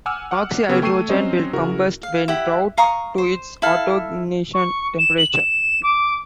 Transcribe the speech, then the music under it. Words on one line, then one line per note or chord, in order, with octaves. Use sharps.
Oxyhydrogen will combust when brought to its autoignition temperature.
F#5 G#5 D6 E6 F6
F#5 D6 F6
C#3 B3 F#4 G4 E6 G#6
A3 G5 C#6 E6 C7 D#7
F#3 C4 C#4 C5 D#5
C#3 E4 F#4 A#4
F5
E4 G4 F#5
F5 A#5 C#6 D#6
C5
E4 A4 F5
C#6
E7
F#7
E7
D6